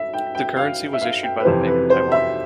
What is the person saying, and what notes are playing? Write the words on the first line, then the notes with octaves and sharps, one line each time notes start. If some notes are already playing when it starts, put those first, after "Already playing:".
The currency was issued by the Bank of Taiwan.
Already playing: E5
G5
G5
F5
E5
F5
G5
B4
F2 C3 E3 C5
B4
C5
E5